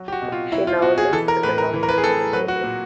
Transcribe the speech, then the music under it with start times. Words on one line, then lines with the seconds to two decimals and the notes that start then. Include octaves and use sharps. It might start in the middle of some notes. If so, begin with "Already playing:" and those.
She now lives in the Los Angeles area.
Already playing: F#3
0.08 G4
0.12 F#4
0.22 B2
0.32 F4
0.52 F#3 E4
0.67 F4
0.82 B2 F#4
0.98 G#4
1.13 E3 A4
1.28 A#4
1.43 A2 B4
1.58 A#4
1.74 E3
1.83 A#4
1.89 B4
1.98 G#4
2.04 A2 A4
2.33 F#3 B4
2.48 F#4
2.63 A#2